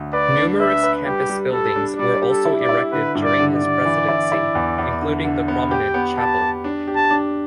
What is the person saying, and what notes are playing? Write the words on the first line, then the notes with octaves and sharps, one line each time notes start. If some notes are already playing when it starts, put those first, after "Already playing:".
Numerous campus buildings were also erected during his presidency, including the prominent Chapel.
Already playing: D2
B4 D5
D4
B4 E5
B4
G3 G4
G3
G3 A4
D4
G3 D5
G4
A4
E4
D5
E4
D3 B4
G2
D5
D3
D5
D3
E3
E4
E4
E2
E2
D3
D3
B3
G4 G5
B3
G4 A5
G4
D4
G4
A5
D4